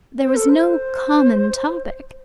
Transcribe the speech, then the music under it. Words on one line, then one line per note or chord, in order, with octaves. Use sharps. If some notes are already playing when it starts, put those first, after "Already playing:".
There was no common topic.
C5
A4
C5